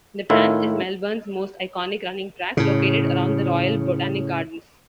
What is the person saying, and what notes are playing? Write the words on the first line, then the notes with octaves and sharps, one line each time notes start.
The Tan is Melbourne's most iconic running track, located around the Royal Botanic Gardens.
A2 D#3 A3 E4 F4
A2 C#3